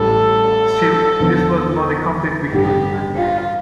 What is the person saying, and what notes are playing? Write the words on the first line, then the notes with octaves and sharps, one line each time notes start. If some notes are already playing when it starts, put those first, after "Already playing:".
Still, this was not a complete victory.
Already playing: A1 A2 G3 A4
E2 D3 F3 B3
A1 G2 D3 G3 G4
F4